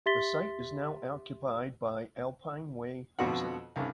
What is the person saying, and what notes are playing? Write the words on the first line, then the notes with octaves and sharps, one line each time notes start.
The site is now occupied by Alpine Way housing.
G4 E5 C6 A6 B6 G7
F2 B2 D3 F#4 F#5
C2 G2 C#3